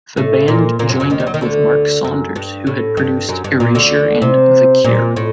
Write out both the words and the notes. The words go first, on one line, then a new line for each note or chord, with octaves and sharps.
The band joined up with Mark Saunders, who had produced Erasure and The Cure.
A2 A3
A#2 A#3
A#2 A#3
F#2 F#3
F#2 F#3
D#2 D#3
G3
F#3
D#3
D2 D3
F#2
G2
A2
G2
F#2
G2
A#2
D2 D3
C3
A#2
A2